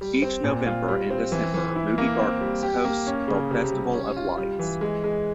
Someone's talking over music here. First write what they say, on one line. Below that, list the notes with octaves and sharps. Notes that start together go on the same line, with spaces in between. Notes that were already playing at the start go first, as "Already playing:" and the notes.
Each November and December Moody Gardens hosts the Festival of Lights.
G3
C4
A#2
F4
G3
C4
E3
E3
E4
A#3
C4
G3
G4
A#3
C#4
C#3
C3
G3
C#4
F4
G3
E3
G#3
G#3